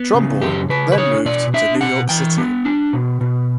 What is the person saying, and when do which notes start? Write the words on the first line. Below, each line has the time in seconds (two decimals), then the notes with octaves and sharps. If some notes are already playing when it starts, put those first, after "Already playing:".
Trumbull then moved to New York City.
Already playing: B3
0.14 C#3
0.41 F#2 G4
0.69 C#3 B4
0.92 B4
0.98 D4 C#5
1.25 B2 D5
1.54 D4 E5
1.81 B2 F#5
2.09 E3 G5
2.38 B3
2.65 D4
2.93 B2
3.21 B2